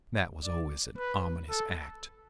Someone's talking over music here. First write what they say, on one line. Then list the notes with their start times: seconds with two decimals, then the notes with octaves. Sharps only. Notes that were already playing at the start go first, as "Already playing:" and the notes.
That was always an ominous act.
0.44 D5
0.98 B4
1.49 A4